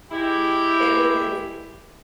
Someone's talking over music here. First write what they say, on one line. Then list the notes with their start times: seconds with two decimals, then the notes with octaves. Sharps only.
it is.
0.11 G#3 E4 G4